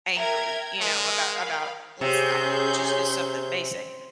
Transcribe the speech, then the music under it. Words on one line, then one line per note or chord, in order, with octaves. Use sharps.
angry, you know, about about let's, I don't know, just just something basic.
A#4 E5 G5 G#6
G#3 A#4 D#5
F5 B5
C3 C#4 G#4 G6